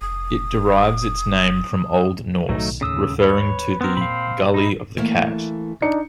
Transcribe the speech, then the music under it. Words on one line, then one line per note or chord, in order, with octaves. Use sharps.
It derives its name from Old Norse, referring to the 'gully of the cat'.
F1 D#6
B1 A2 D#3 F#3 A3 D#4
D#2 A2 C#3 D#6 E6
B4 C#5
B3 C4 A#4
A#2 F5 B5
D#4 E4
E3 A3 A#3
D4 D#4 C#7